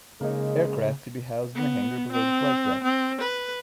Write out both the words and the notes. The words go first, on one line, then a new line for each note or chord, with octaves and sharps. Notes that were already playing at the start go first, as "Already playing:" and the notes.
Aircraft could be housed in the hangar below the flight deck.
C#3 G#3 A#3 D#4
B3
C4
C4
B4